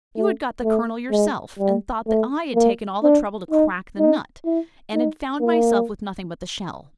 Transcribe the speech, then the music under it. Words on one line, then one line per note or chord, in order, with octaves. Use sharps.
You had got the kernel yourself, and thought that I had taken all the trouble to crack the nut and had found myself with nothing but the shell.
A3
A3
G#3
G3
A3
A#3
D4
D#4
D#4
E4
D#4
A#3